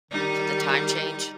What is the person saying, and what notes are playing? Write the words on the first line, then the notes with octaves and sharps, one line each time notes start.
for the time change
D#3 G3 D#4